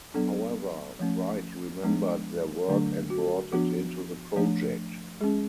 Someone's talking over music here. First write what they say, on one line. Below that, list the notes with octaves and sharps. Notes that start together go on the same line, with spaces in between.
However, Wright remembered their work and brought it into the project.
F#3 B3 D4 A4
F3 A3 C#4
F3 G#3 B3 D4
D3 F#3 A3 D4
F#4
F3 B3 D4 F#4
F3 A3 D4
G#3 C#4 G#4